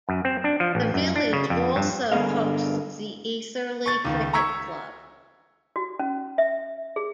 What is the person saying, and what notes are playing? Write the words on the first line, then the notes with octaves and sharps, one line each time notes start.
The village also hosts the Etherley Cricket Club.
F#2
C4
D4
F3
A1
F#2
D4
C#3
F2
G2
G2 D3 B3 G#4 A#4 F5
C#6 A6
C#2 D#3
A#5 C#6 E6 G#6 B6
F#4
C#4
E5
G#4